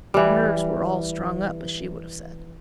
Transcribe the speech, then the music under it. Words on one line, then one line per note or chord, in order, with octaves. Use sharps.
Her nerves were "all strung up," as she would have said.
E3 G3